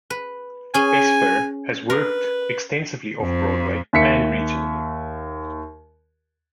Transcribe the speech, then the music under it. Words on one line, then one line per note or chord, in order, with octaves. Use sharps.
Esper has worked extensively Off-Broadway and regionally.
B4
C#4 G#4 G#5
A#4 B4
F2
D#2 E5 B6 C#7